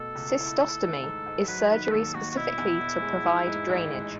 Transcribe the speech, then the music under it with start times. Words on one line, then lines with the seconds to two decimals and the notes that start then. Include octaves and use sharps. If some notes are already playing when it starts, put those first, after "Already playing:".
"Cystostomy" is surgery specifically to provide drainage.
Already playing: B2 A3 A4
0.15 C#2
0.38 E4
0.59 A3
0.82 D#3
1.03 G#2
1.26 G#2
1.48 F#3 B4
1.70 D#3 B4
1.85 B4
1.92 D#2 A4
2.14 D#2 F#4
2.31 F#4
2.36 B2 E4
2.58 E2
2.80 E1
3.02 G#3
3.24 E3
3.47 G#2
3.69 A1
3.91 G#3